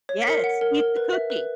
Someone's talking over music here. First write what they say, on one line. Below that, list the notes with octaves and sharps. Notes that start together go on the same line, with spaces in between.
Yes, eat the cookie.
C#5
B6
A#4 C#7
F#5
A#4
A#4
B4
E5
B4